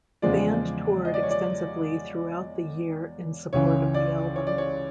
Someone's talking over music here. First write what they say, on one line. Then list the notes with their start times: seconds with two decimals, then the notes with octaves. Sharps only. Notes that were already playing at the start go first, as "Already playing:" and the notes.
The band toured extensively throughout the year in support of the album.
0.22 E2 C#3 F3 G#3 D5
1.05 D#5
1.14 D5
1.23 C#5
1.31 D5
3.53 C#2 C#3 E3 C#5
3.94 D5
4.36 C#5
4.47 D5
4.58 C#5